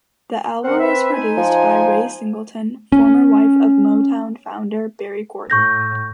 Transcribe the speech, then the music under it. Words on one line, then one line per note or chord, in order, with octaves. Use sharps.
The album was produced by Ray Singleton, former wife of Motown founder Berry Gordy.
D#2 C4 A#4 F#5
B4 E5
D#4 C5 G#5
F3
C#4
A2 C#6 G6 A#6